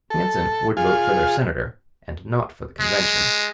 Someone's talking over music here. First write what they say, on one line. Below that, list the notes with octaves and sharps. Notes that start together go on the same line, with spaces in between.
Hansen would vote for their senator and not for the convention.
A4
F4 G#4
G#3